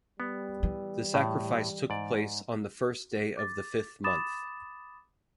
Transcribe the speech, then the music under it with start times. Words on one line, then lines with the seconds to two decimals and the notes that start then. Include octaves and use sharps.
The sacrifice took place on the first day of the fifth month.
0.20 G3 B3
0.63 E3
1.14 A2
1.90 G#2 D5
3.37 D6 A6
4.04 B5 D6 D#6 A6 E7